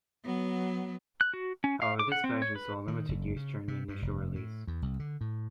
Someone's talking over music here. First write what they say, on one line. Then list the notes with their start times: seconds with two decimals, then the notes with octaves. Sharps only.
However, this version saw limited use during the initial release.
0.25 F#3 B3
1.21 F#6
1.34 F#4
1.64 C#4
1.82 F5
1.99 D6
2.12 F#5
2.24 C4
2.42 C#5
2.55 B4
2.88 D#3
3.09 F#1
3.36 C#3
3.68 C3
3.88 G2
4.02 F1
4.35 A2
4.67 E2
4.82 C2
4.99 D3
5.21 A2